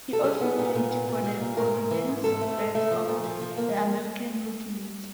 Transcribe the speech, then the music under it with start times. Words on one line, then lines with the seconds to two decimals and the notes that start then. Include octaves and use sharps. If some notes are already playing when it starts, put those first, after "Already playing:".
He also played for the Providence Reds of the American Hockey League.
0.13 A4
0.24 G3 G#4
0.41 B3
0.58 A#2
0.75 A#2
0.90 B3
1.08 A#2
1.24 G3
1.41 A#2
1.57 G#2 A#4
1.74 G#2
1.91 E3
2.08 G#2
2.24 G#2 A4
2.41 A3
2.57 G#2
2.75 A3
2.91 F3
3.08 A#2
3.24 F3
3.41 F3
3.58 A#3